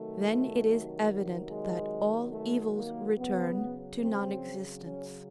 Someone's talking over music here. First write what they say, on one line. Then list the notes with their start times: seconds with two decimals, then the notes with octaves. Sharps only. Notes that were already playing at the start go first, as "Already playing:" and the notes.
Then it is evident that all evils return to nonexistence.
Already playing: C3 D#3 F#3 A3
1.48 G#3
2.31 A3
2.74 A#3
3.16 C#3 F#3 B3
4.00 C4
4.85 C#4